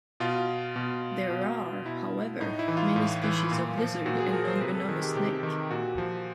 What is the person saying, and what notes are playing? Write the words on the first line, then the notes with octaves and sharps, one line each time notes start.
There are, however, many species of lizard and non-venomous snake.
B2 F4
B2
B2
B2 E4
A2 D#4
E4
E3
F4
A2
E3
A#2
F3
A#2 F#4
G#4
F3 A#4
C5
C3 B4
A4
D#3 G#4
G4
C3 G4
D#3
A#2 F#4
F3